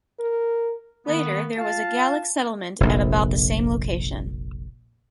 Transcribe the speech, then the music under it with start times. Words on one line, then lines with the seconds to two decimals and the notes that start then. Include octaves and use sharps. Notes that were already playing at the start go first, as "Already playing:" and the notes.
Later there was a Gallic settlement at about the same location.
0.20 A#4
1.07 D#3 A#3 B3
1.58 F4 F5 A5
2.80 F1 A#1